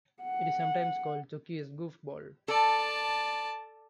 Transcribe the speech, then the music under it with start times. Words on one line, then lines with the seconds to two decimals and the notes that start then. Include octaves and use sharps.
It is sometimes called "Zocchi's Golfball".
0.23 F#5
2.48 A4 D5 A5